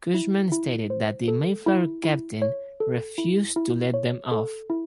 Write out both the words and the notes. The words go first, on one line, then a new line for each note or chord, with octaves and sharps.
Cushman stated that the "Mayflower" captain refused to let them off.
E4
E4
C5
A4
E4
E4
C#5
A4
E4
E4
C#5
A4
E4